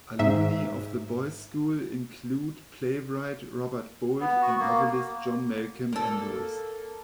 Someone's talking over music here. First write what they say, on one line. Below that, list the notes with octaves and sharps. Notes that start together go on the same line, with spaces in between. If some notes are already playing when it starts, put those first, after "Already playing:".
Alumni of the boys' school include playwright Robert Bolt and novelist John Malcolm Andrews.
G#2 E5
B3
F#4
A#3
A#3 A4